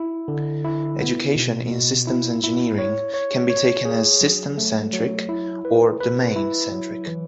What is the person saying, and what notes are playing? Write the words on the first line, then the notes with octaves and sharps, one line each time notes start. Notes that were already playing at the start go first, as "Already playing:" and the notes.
Education in systems engineering can be taken as "Systems-centric" or "Domain-centric".
Already playing: E4
D3
E4
B3
B2
B2
E4
E4
C#5
C#5
C#5
G#4
F#3
A3
F#3
E4
B4
B4
E4
F#3
E3